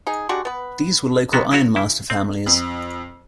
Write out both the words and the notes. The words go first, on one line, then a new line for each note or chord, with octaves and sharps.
These were local ironmaster families.
D#4 G#4
G3 G#3 D4 F#4
B3 B4
C3 D#3 B3 F#4
F#3 E4 F#4 C#5
C#3 E4
C4
F2